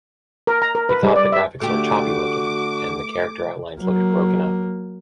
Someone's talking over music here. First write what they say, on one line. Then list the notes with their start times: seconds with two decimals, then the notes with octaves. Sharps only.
He thought the graphics were "choppy" looking, and the character outlines looked "broken up".
0.47 A#4
0.62 A#5
0.75 A#4
0.89 B4
1.03 G3
1.16 D5
1.32 E5
1.61 D3 A3 F#4 G4 D6
3.80 F#3 A#3